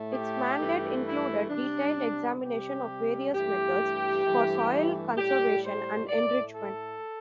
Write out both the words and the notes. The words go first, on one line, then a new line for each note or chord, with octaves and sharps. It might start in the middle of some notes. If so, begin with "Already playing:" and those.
Its mandate included detailed examination of various methods for soil conservation and enrichment.
Already playing: A2 A3
G4
G2 E3 A3
E4
C3 G3 D4
C3 G3 G4
G2 E3 A3 G4
G2 E3 A3
A2 G3 G4
C5
A2 A3 D5
A4